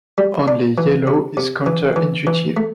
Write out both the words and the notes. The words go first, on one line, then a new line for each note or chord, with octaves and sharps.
Only yellow is counter-intuitive.
G3
D4
E3
C3
C3
E3
E3
E3
A3